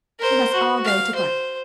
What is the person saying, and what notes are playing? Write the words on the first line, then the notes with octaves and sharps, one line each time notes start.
They must all go to Brighton.
A#4 C5
F#4
F5
C5